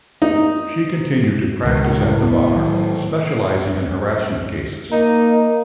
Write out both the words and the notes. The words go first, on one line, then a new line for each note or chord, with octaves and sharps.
She continued to practice at the Bar, specialising in harassment cases.
D#4
C#2 D#3
A2
B3
D#3 F#3
A#3 D#4